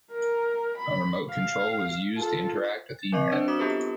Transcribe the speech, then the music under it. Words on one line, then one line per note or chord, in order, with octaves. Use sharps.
A remote control was used to interact with the unit.
A#4
B5
F5
F4 A4
A6
F#3 C4 D#5 C#6 C#7
D4 B4 C5 D5
F#4 D6 D#6 B6 E7
B3 F4 G4 A4 B4